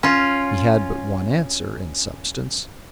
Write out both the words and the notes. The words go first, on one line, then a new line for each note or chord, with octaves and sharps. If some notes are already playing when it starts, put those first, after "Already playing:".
He had but one answer, in substance.
C#4 F4